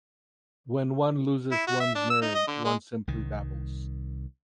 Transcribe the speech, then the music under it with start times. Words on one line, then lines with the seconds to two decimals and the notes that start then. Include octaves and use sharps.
When one loses one's nerve, one simply babbles.
1.51 E4
1.67 F#4
1.80 E5
1.95 D4
2.10 E6
2.22 D#4
2.35 D#5
2.47 D3
2.64 G#3
3.07 C2 D#3